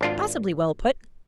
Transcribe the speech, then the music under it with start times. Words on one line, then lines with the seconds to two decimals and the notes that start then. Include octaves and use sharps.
"Passably well put."
0.01 G#1 D4 F4